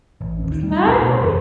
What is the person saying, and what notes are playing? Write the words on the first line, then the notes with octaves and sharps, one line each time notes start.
M exactly.
A1
D#2
G3 A3
A#1 C3 C4
B2
F#1 E2